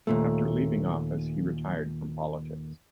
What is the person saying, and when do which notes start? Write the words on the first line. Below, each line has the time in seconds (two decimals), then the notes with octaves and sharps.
After leaving office, he retired from politics.
0.07 D#2 A#2 A3